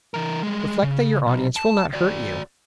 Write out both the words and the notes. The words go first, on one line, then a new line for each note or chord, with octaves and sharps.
Reflect that your audience will not hurt you.
E3 A#4
G3 G#3
C#3
B1
A5
F#4 D5